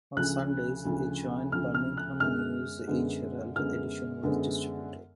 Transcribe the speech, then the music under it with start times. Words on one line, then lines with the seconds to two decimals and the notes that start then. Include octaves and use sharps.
On Sundays, a joint "Birmingham News Age-Herald" edition was distributed.
0.17 D2 C#3 F3 F#6
0.85 D2 C#3 F3
1.52 D2 C#3 F3 F6
1.74 F6
1.97 F#6
2.20 F#2 D3 G#3 B3 F6
2.88 F#2 D3 G#3 B3
3.56 F#2 D3 G#3 B3 F6
4.23 F#2 D3 G#3 B3